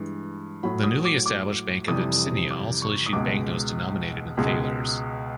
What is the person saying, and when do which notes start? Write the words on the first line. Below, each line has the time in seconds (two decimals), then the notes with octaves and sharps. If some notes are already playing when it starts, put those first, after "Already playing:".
The newly established Bank of Abyssinia also issued banknotes denominated in thalers.
Already playing: G2 E3 G#3
0.63 A2 F#3 B5
0.84 D#6
1.05 D6
1.26 D6
1.88 F2 C3 E3 G3 D#6
2.51 D6
2.82 C#6
3.06 D#6
3.13 C#2 B2 G#3 D6
4.37 C#2 B2 G#3